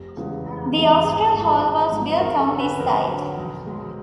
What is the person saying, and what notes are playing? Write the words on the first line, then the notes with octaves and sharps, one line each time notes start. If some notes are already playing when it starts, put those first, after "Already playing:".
The Austral Hall was built on this site.
Already playing: F1
E2 C#3 E3 G#3
F1
E2 C#3 E3 G#3
G#1 G#4
G#2 F3 G#3
G#1
G#2 F3 G#3
F2 A#4
A4
D3 F#3
B4
F2 A#4
D3 F#3
B1
B2 G#3